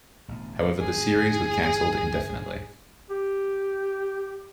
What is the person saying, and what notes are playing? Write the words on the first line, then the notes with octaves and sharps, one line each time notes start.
However, the series was canceled indefinitely.
A1 B2 D3
G1 D#2 G#4
G4